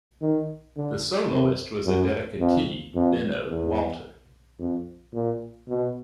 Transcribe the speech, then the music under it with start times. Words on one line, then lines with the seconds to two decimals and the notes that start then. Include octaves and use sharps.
The soloist was the dedicatee Benno Walter.
0.21 D#3
0.77 D3
1.30 C3
1.86 F#2
2.40 F2
2.95 F2
3.49 E2
4.59 F2
5.14 A#2
5.68 B2